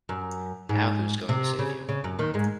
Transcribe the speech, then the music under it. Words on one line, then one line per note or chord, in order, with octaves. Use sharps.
Now who is going to save you?
F#2
G#2
C3
C#3
C#3
F#2
D#2 D#3
G#2 G#3